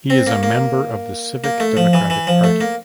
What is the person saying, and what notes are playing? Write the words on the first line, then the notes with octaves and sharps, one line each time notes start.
He is a member of the Civic Democratic Party.
C4
A#3
A#3
A#3
A3
F3
E3
E3
F3
A3
A#3